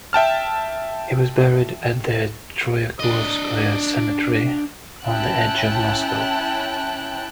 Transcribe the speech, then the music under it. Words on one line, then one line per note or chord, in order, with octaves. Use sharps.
He was buried at the Troyekurovskoye Cemetery on the edge of Moscow.
E5 G5 A5 F6
D4 D#5
C#4 E4 G5 A5 F#6